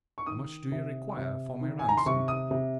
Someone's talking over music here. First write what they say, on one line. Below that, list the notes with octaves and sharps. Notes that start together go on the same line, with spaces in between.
"How much do you require for my ransom?"
C#6
D#3 D#6
C3
C3
D#3
G#5
A#5
C6
C3 C#6
D#6
C3